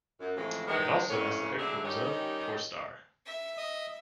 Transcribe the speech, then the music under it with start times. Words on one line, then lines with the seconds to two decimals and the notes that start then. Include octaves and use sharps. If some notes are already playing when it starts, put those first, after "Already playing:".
It also has the headquarters of Torstar.
0.20 F#2
0.36 F2 A2 C#3 E3 F3 G#3
0.67 D#3 E3 G#3
1.10 F2 A2 C#4
1.58 D3 F#3 G#3 D4 E4 G#4
1.84 D#3 G3 C#4 D#4 G4 C#5
3.26 E5
3.57 D#5 D#6